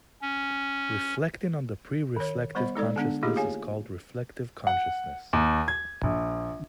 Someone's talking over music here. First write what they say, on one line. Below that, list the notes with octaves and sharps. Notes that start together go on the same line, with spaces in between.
Reflecting on the pre-reflective consciousness is called "reflective" consciousness.
C#4
D#3 C#5
G3 B3 C5 D#5 B5
G#3 D#4 A4 D5
D3 B3 D4
A3 A#3 D#4 F4 G4 G#4
G#4 C#5 F5 G#5
F#5
D#2
G#6
A#1